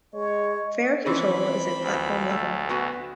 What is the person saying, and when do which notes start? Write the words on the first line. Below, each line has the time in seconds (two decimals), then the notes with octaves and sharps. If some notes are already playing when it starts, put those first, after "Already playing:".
Fare control is at platform level.
0.14 G#3 C#5 D#5
1.06 E3 F3 C4 C#4 B5
1.82 D2
2.31 A3
2.69 B3 F#4 G#5